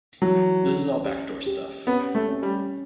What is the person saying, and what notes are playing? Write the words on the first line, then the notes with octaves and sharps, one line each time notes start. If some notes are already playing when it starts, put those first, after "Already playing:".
This is all back door stuff.
E3 F#3
C#4
G4
G4
B3 C#4
A3
C#4
G3